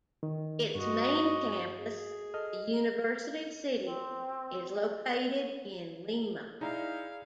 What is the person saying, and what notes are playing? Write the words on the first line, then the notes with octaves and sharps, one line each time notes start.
Its main campus, the University City, is located in Lima.
D#3
G2 F#4 D#5
G#4
A4 D#5 F6
C4
D5
D#4 E4 G#4 D5 F5 A#5